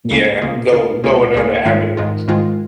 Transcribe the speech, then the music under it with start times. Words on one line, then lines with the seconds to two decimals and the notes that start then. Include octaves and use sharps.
Yeah, go go another avenue.
0.11 C#2 C#3 A#3 C#4
0.42 C#2 C#3 A#3 F4 G#4
0.72 C#2 C#3 A#3 F4 G#4
1.04 C#2 C#3 A#3 F4 G#4
1.35 C#2 C#3 A#3 F4 G#4
1.66 G#2 D#3 G#3 F4
1.97 G#2 D#3 G#3 F4
2.28 G#2 D#3 G#3 F4